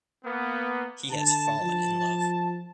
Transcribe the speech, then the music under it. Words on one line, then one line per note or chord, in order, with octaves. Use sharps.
He has fallen in love.
A#3 B3
D3 A5
F3